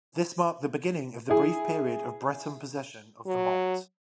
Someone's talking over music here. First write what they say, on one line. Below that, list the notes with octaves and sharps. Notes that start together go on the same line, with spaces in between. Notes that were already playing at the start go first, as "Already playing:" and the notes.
This marked the beginning of the brief period of Breton possession of the Mont.
E4 G#4
F#3